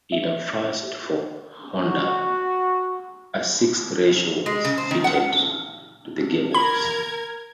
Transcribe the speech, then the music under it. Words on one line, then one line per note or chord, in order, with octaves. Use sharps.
In a first for Honda, a sixth ratio was fitted to the gearbox.
E5
F#4
G#3
C#3
C5
D#3
F#5
A#4 B5 G#6